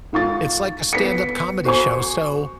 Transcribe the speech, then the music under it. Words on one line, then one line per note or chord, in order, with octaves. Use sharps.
It's like a stand-up comedy show, so,
G#2 F4 C#6 A6
B3 B6 C#7
F#4 C5 G#5 C#6